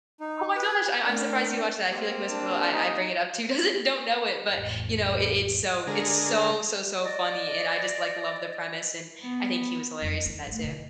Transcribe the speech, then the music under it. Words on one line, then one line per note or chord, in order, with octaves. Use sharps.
oh my gosh, I I'm surprised you watched that, I feel like most people I I bring it up to doesn't don't know it, but, you know, it it's so it's so, so, so funny, and I just, like, love the premise and I think he was hilarious in that too.
D#4
B4
A3 C4 D4 A#4 D5 G5
A#3 C4 G4
D4
D#4
A1 F2
D3 G#3 A#4
D5 D#5
B3
F2 F#3
E3 C#4
A3 E4
B2 D3